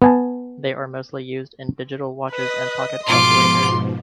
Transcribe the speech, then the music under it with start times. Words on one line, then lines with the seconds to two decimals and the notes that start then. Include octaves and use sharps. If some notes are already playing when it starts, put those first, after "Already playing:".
They are mostly used in digital watches and pocket calculators.
0.02 B3 G#5 A5
2.31 B4 D#5 D#6
3.06 G#2 B2 F3 F4 C6 D6